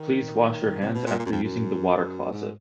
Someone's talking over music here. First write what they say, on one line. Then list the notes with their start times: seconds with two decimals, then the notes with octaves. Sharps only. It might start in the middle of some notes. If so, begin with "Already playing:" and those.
Please wash your hands after using the water closet.
Already playing: D#3
0.81 C3
0.94 B2
1.06 A#2
1.19 A#2
1.26 F#2
1.31 F2
1.44 F#2
2.32 G#2